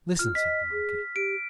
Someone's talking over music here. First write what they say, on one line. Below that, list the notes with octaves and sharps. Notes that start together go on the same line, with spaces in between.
"Listen," said the monkey.
F4 F6
D#5 B6
G#4
G4 D7